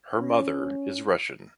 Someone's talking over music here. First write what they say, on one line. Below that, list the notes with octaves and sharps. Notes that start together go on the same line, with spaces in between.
Her mother is Russian.
C#4